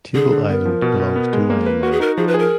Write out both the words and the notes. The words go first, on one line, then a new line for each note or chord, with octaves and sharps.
Table Island belongs to Myanmar.
D3 G#4
D3
B3 A#4
F3
B2
B2
B3
G#3
A#3
B4
F#4 A#4
G#4
D#4 A#4
F3 G#4
B4
G#4
A#4